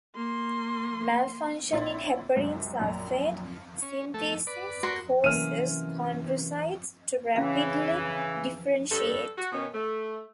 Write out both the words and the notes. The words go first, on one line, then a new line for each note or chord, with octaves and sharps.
Malfunction in heparin sulfate synthesis causes chondrocytes to rapidly differentiate.
A#3 C6
A#1 A#2 E4 C#5 C6 A6
C#2 F#2 C3
A#1 F#2 A#5
C#4
A3 A4
B4 D5
F#4 A#4 C6
C3 E3 F#3 A#3 B3 C#4 F6 D#7
C#3 E3 C#4 F5
G2 A4
F#4
B2 D#3 B3 C#4
A3